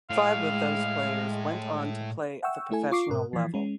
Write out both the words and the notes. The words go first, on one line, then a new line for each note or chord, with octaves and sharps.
Five of those players went on to play at the professional level.
A2 G#3 F5
E5 F#5 G5 C#6 E6
A3 E4 A4 G#5
F4 C#6 D6 C7
G#2 B2 A#4
E3 F3
G#3 C#4